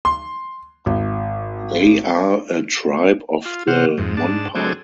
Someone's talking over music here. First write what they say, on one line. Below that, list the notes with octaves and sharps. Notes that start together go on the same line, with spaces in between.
They are a tribe of the Monpa.
C6
G#1
F4
C3 C5 F#5 F6
F2 G#2
G#2 D4 A5
F#3 C4 D4 G#4 A4